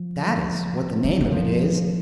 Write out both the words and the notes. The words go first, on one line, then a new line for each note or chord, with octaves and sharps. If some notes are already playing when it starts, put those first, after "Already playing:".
That is what the name of it is.
Already playing: F3
F#3
F#3
F3